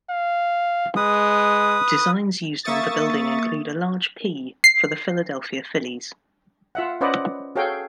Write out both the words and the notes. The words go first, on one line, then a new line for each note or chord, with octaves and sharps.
Designs used on the building include a large "P" for the Philadelphia Phillies.
F5
G#3 B4 D#6
A#3 E5 C#6 D#6 A6
C7
F4 E5 F#5
C#4 B4 C5 D5 D#5 F#5
F#4 G#4 A4 C#5 F5 G5